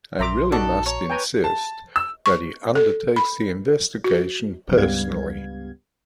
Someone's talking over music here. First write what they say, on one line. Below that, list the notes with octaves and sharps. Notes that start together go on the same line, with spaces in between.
I really must insist that he undertakes the investigation personally.
A#1 E5 A#5 C6 D6
D#4 F#4 A4 D5
C#5 A#5
B4 G5 G#5 A#5
A5
E6
C#6
A4
B5
F#4
C#2 G2 G3 B3 F5 G#6